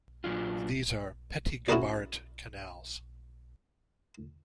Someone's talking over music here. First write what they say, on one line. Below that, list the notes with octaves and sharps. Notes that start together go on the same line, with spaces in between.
These are "petit gabarit" canals.
A#2 F#3 D4 F4
C#4 E4 F#4 G#4 A#4 D5